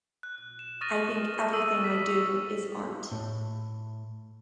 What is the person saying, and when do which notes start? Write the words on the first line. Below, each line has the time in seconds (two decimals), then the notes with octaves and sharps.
I think everything I do is art.
0.23 F#6
0.59 E7
0.81 C#6 D#6 F6 A6 A#6 D#7
1.52 C#6 D#6 E6 D#7
1.84 B6
3.11 A2